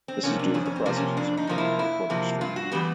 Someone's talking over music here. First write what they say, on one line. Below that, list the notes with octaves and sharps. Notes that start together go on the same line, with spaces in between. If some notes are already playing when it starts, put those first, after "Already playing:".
This is due to the processor speed on the AirPort Extreme.
C4
C3 F3 A#3 C#4
D4
F2 C#4
C#4
C4
C3 F3 A#3
C#4
F2 D4
D#4
C3 F3 A#3
E4
F2 E4
C3 F3 A#3
G2 F4
F#4
E3 G3 B3 G4